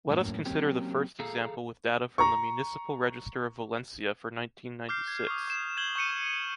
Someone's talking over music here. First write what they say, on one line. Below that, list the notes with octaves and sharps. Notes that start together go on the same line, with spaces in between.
Let us consider the first example with data from the Municipal Register of Valencia for nineteen ninety-six.
F#2 A2 A#3 C#4
F#3 A#3 C4 C#4 G4
G#4 A4 F5 A#5
A#5 C#6
D6 F6 G6 C7
G#6
C#6 D#6
D6 E7
G6 G#6 E7 F#7 G7
C#6 G6 C#7 D#7